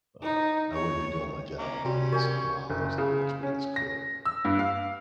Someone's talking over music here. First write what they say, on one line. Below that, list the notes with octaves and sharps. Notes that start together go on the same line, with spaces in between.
Uh, I wouldn't be doing my job if I didn't say mom was the world's greatest cook.
D#4
C#5
C#4 A#5 D6
C3 G3 C#4 F#4 G5
A#4 C#5 G5 G#5
F#1
C#3
C#4
A#6
E6
G2
F5